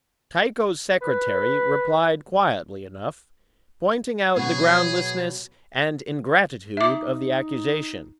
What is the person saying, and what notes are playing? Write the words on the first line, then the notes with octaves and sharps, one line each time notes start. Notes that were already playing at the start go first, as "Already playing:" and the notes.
Tycho's secretary replied quietly enough, pointing out the groundlessness and ingratitude of the accusation.
B4
B2 F#3 F#4 G#4
D#4 E5 D6